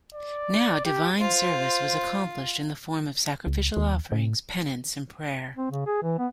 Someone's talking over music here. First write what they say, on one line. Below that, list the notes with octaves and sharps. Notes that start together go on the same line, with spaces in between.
Now divine service was accomplished in the form of sacrificial offerings, penance and prayer.
D5
G4
F4 C5
C#2
D#2
A2
C4
C#3
G#4
E3
B3